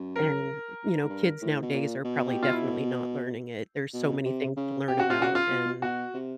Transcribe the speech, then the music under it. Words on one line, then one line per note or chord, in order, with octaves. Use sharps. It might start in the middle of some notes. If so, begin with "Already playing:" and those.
and, you know, kids nowadays are probably definitely not learning it, there's so many things to learn about, and,
Already playing: F#2
A#4
G#2
G2
A2
B2
A#2
B2
G4
F4
E4
B2
C3
C#3
C3 G4
C#3 F#4
C3 F4
C#3 F#4
F4
B2
B2 F#4
C3